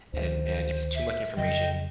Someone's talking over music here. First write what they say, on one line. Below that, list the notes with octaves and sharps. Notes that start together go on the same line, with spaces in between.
And and if it's too much information,
D2 D#3 C5
E5
F2 C#3 F#3 D#5 G5